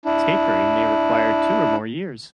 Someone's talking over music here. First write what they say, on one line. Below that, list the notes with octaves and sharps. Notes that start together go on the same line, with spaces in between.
Tapering may require two or more years.
D4 E4